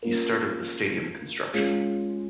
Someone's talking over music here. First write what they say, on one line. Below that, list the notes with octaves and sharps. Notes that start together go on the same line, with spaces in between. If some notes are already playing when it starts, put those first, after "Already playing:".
He started the stadium construction.
A#3 C#4 F4 A#4
G#3 C#4 F4